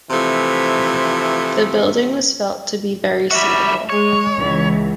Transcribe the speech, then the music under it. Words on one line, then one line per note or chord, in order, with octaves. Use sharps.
The building was felt to be very suitable.
C3 E3 F3 A3
G3 F#4 E5
G#3 C#5
C#2 E3